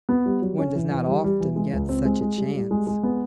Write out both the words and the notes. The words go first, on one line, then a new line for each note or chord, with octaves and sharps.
One does not often get such a chance.
B3
G3
F#3
C#4
E3
E3
G3
G3
E3
G#3
C#2
C4
G#3
G#3
G3
G3
G#3
G#3
B3